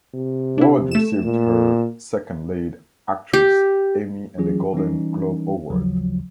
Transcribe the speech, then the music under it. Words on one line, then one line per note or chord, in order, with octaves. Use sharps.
Ward received her second lead actress Emmy and a Golden Globe Award.
C3
D4 E4
A3 E7
A#2
G4
E3 F#3 C#4 F4 G#4
E3 G3 C#4 D#4
G#1 D#2 C#3 F3 F#3